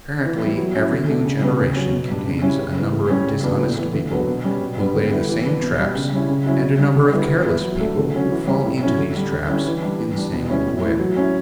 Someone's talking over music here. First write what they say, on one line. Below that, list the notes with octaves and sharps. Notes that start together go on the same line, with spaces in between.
Apparently, every new generation contains a number of dishonest people who lay the same traps, and a number of careless people who fall into these traps in the same old way.
E3
G3 B3 E4
F#3
C#4 E4
D3
A3 D4
C#3
G3 B3 D4
C#3
F#3 C#4
B2
G3 D4
C#3
G3 C#4 E4
C#3
E3 B3
A2
G3 C#4
C#3
F#3 B3 D4
A2
E3 B3
D3
F#3 B3 D4
B2
G3 C#4
B2
G3 B3
D3
G3 B3 E4
E3
B3 D4
B2
G3 D4
C#3
G3 C#4 E4
C#3
F#3 C#4 E4
C#3
G3 D4
D3
G3 B3 E4
E3
B3 E4
F#3
A3 D4
D3
F#3 C#4
E3
G3 C#4
A2
F#3 C#4 E4
D3
G3 D4
D3
G3 C#4 E4
E3
G3 D4
E3
G3 D4
B2
G3 C#4 E4
A2
E3 A3 E4
F#3
C#4 E4